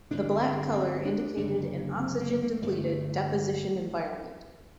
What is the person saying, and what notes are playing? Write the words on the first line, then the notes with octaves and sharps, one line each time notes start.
The black color indicated an oxygen depleted deposition environment.
G1 G2 D3 D4
C4
C4
D4
F#1 F#2 D3 D4
C4
A#3
A#3
A3
G1 G2 D3 G3
A3